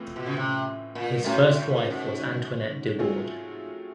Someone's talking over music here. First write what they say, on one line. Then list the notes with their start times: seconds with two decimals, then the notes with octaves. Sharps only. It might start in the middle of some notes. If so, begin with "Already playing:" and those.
His first wife was Antoinette de Bord.
Already playing: A2 E3 C4 F4
0.16 B2
0.26 C#3
0.37 C3
0.95 A#2
1.24 A2 F#3 A3 C#4
1.47 A2
1.68 A#2
1.90 G#2
2.99 F#3 A3 C4 F4 G#4